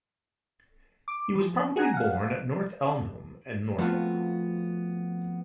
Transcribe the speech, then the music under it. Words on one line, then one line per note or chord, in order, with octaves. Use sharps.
He was probably born at North Elmham in Norfolk.
D6
E3 F3
F#4 G#4 F#5 G#5 A#5
F5 F#5
F3 A3 B3 C4 F4 F#4